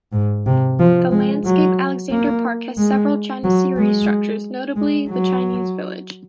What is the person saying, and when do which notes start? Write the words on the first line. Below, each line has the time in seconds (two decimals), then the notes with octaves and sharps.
The landscape Alexander Park has several Chinoiserie structures, notably the Chinese Village.
0.12 G#2
0.46 C3
0.79 F3
1.12 G#3
1.44 F#3
2.11 A#3
2.78 G#3
3.44 F#3
3.77 G#3
4.76 G#3
5.09 F#3